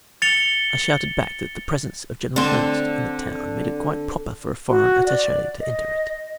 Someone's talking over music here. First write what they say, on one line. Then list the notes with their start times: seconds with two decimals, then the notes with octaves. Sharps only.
I shouted back that the presence of General Ernst in the town made it quite proper for a foreign attache to enter it.
0.22 A6 C#7 F7 G7
2.36 D3 C4
4.69 F#4
5.06 D5
5.60 D#5